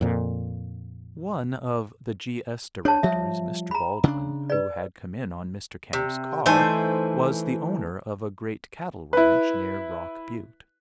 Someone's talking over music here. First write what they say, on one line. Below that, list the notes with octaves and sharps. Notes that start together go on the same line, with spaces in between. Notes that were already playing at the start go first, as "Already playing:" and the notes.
One of the G. S. directors, Mr. Baldwin, who had come in on Mr. Camp's car, was the owner of a great cattle-ranch near Rock Butte.
F2 A#2
D4 C#5 A5
F3 G3 E5
A#5 B5
C#3 C#4 D4
B4 D5
C3
E3 A3 D#4 C5 G#5
E4 B4